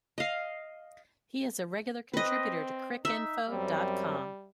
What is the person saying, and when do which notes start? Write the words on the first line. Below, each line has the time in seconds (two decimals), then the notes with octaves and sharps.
He is a regular contributor to Cricinfo dot com.
0.18 D#5 F5
2.14 C4 B4 D#5
3.05 D#4 E5
3.50 F#2 F#3 G3 C4